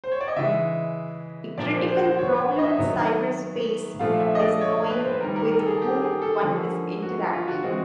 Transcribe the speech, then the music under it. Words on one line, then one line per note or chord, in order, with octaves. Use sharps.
A critical problem in cyberspace is knowing with whom one is interacting.
C5
C#5
D5
D#5
C#3 E3 G#3 E5
A#2 F3 A#3 D4 D5
C5
C5
C5
C#5
C#5
D#5
E5
D#3 F#3 B3
A#2 F3 A3 D4 F5
E5
D#5
D5
C#5
B4
C5
B4
D#3 G3 A#3 A#4
A#4
A#4
A4
G#4
G4
G#4
A4
D3 F3 A#3 C#4
F#4
F4
F4
F#4
E3 G#3 C4 F#4